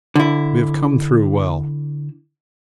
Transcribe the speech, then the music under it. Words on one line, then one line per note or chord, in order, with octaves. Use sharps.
We have come through well.
D3 E4